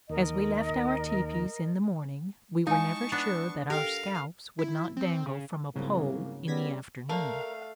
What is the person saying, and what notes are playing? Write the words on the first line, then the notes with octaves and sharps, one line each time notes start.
As we left our teepees in the morning, we were never sure that our scalps would not dangle from a pole in the afternoon!
D#2 A#4 D#5
G#3 D#4 E4 F5 G#5 A5 C#6
B3 D4
G4 A4 A#4 F5 G5
E4
C4
C#3
C2 G#2 C#3 F#3 A#3
C#3 G3 B3 G#6 A#6 B6
A3 A#4 D5 F5 A5